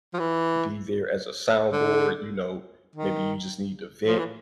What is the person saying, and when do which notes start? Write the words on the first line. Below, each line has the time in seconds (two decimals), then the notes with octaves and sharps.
be there as a soundboard, you know, maybe you just need to vent.
0.14 F3
0.19 E3
1.73 D3
2.96 D#3
4.07 F3
4.19 E3